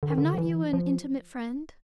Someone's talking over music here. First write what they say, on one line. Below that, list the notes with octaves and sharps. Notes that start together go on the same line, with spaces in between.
"Have not you an intimate friend?"
D3
D#3
D3
F3
E3
F3